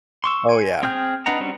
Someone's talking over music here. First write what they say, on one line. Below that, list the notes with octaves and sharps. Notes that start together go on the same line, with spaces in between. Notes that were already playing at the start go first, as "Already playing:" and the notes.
Oh, yeah.
C6 C#6 E6
G#5
C4 G#4 G5 F6 G6
D4 B4 D#5 F#5 A#5
G3 C4 C#4 F#4